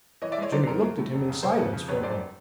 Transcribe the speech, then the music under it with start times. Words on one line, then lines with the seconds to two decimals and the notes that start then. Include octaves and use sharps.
Jimmy looked at him in silence for a moment.
0.22 E3 C#5 D#5
0.32 D5 E5
0.38 G#3 C#5 D#5
0.52 F#3 C5 D5
0.67 F#2 A#4 C5
0.83 F#3
0.98 A2
1.13 F1
1.28 C#3
1.42 C#3 A#4 C5
1.58 F2 A4 B4
1.73 C#3
1.88 F1 B4 C#5
2.03 F#2 C5 D5